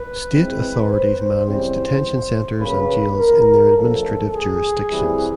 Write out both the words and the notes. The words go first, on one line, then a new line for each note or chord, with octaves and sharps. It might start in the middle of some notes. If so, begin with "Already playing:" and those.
State authorities manage detention centers and jails in their administrative jurisdictions.
Already playing: B4
E3 G#3 C4
C5
C#3 E3 G3 C4 C5
C#3 F#3 A#3 B4
A#4
D3 F3 A3 A4
G#4
C3 E3 G3